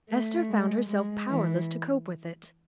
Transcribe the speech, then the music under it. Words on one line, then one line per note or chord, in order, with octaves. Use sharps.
Esther found herself powerless to cope with it.
A3
G#3
G#3
E3